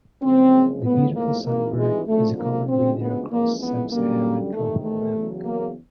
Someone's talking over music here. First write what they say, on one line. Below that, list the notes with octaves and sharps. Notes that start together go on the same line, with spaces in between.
The beautiful sunbird is a common breeder across sub-Saharan tropical Africa.
F#1 F2 C#3 F3 G#3 C4
B1 A2 F3 G#3 B3
A#3
G#1 G2 E3 A#3
G#3
G#1 F#2 D3 F3 G#3 A3
A#3
D2 C#3 F3 G#3 C4
B3
F#1 F2 C#3 E3 G#3 A#3
B3
F#2 D3 G3 A#3
E2 C3 D#3 A3
A3
E2 C#3 F#3
A#3